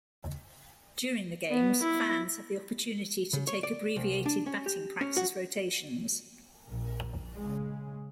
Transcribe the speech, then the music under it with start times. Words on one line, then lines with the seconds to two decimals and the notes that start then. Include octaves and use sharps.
During the games, fans have the opportunity to take abbreviated batting practice rotations.
1.51 B3
1.83 E4
3.33 C#3
3.47 C#5
3.63 D5
3.96 C2
4.26 D4
4.46 C#4
4.66 G4
5.01 C#4
5.17 F#4
6.67 A#1
7.37 C#3 G#3